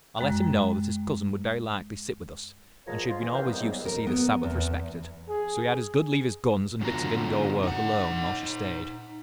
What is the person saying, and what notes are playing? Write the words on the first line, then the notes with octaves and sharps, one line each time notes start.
I let him know that his cousin would very likely sit with us, and she had been always used to see the Sabbath respected; so he had as good leave his guns and bits of indoor work alone, while she stayed.
F#2 G#3 G5 F#6
B2 F3 G#4 A#4 C#5 A#5
F4
E3
A#3 A#4 B4 E5 F5 G5
C3 D#3 G3 B3
G#2 F#3 B3
A#4
B3
E2
G#4
F#2 B2 D3 F#3 F4 A#5
D#4 F#5